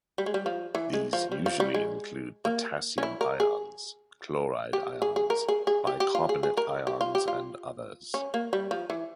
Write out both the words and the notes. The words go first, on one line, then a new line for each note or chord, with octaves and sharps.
These usually include potassium ions, chloride ions, bicarbonate ions, and others.
G3
G#3
G3
F3
E3
G#3
F3
G3
F3
G3
G#3
A#3
C#4
E4
A#4
G#4
G4
G#4
G#4
A#4
G#4
G#4
G4
G4
F4
G#4
G#4
A#4
G4
F4
G4
F4
C#4
A#3
G3
F3
E3